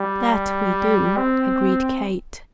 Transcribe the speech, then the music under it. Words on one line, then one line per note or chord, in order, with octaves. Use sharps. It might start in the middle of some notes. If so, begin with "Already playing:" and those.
"That we do!" agreed Kate.
Already playing: G3
C4